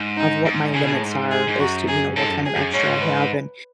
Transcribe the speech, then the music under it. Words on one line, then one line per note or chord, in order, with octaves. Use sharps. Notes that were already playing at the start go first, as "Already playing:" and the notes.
of what my limits are as to, you know, what kind of extra I have, and
Already playing: G#2
D#4
G#2
C#3 G#4
B2
A2
G#2
G#4
G#2
F#2 F#4
G#4
G#2 A4
F#2
G#4
F#2
G#2 C#5
B4